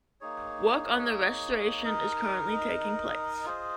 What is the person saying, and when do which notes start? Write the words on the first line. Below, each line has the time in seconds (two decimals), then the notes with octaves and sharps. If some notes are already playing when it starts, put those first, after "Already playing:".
Work on the restoration is currently taking place.
0.21 A#3 D#4 G#4 C#5
1.83 D#4 A#4 D#5
3.45 F4 G#4 C5 D#5